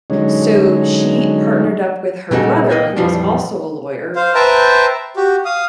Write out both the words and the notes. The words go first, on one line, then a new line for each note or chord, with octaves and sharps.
So she partnered up with her brother, who was also a lawyer,
D3 F#3 G#3 C#4 D#4
A#2 C#3 G3 D#4 F#4 A4
C#2 A#2 D#3 A#3 F#4 D#5
F2 A#2 E3 F3 G3 D4
C5 F5
B4 C5 E5 G5 A5 A#5
F#4 G4
F5 D#6